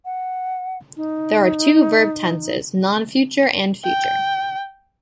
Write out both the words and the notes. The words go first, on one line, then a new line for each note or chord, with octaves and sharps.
There are two verb tenses: non-future and future.
F#5
D#4
G5